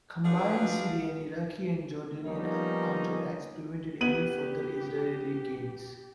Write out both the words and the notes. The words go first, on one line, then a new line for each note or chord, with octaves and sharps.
Combined Syrian, Iraqi and Jordanian counterattacks prevented any further Israeli gains.
F3 D4 F#4 G#4 B4 F5
F3 G3 A#3 B3 C#4 D#4
B3 G4 D#7 F#7